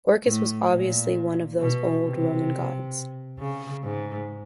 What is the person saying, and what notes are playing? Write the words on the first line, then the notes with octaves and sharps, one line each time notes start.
Orcus was obviously one of those old Roman gods.
A2
A#2
B2
C3
C#3
G#2